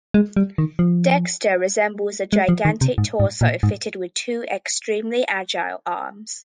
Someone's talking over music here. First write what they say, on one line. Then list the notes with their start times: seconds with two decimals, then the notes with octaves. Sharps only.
Dextre resembles a gigantic torso fitted with two extremely agile, arms.
0.14 G#3
0.37 G3
0.58 D#3
0.79 F3
2.33 G#3
2.49 F3
2.65 D#3
2.81 C3
2.98 G#2
3.20 G#2
3.41 A#2
3.63 G#2